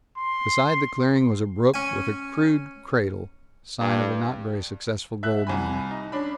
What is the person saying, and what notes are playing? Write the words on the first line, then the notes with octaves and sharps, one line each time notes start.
Beside the clearing was a brook, with a crude cradle--sign of a not very successful gold miner.
C6
C#4 G#5
G2
E5 F#6
C2 G#5 B5
D#4
C#4 D4 B5